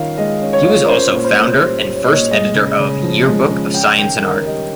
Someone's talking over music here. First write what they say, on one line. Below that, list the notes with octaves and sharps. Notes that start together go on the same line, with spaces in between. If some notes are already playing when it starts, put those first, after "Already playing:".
He was also founder and first editor of "Year-Book of Science and Art".
Already playing: D#3 C#4 F4 F5
G#3 D#5
C#4
C#5
F4
A#4
C#4 C5
A#2
C5
A#2
G3 C5
C#4
C#5
D#5
A#2 C#5
G#3 D#5
C#3
C#3
F3
G#3
C#3
C#4 G5
D#3 G5
D#3 A#4
G3 D#5